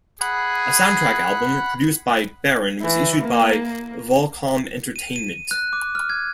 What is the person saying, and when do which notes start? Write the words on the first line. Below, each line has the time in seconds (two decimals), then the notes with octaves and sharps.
A soundtrack album, produced by Baron, was issued by Volcom Entertainment.
0.21 G#4 F#5 B5
2.82 E3
3.22 A#3
4.96 D#7
5.16 D#7
5.51 F#6
5.73 D6
5.95 F6
6.10 G#6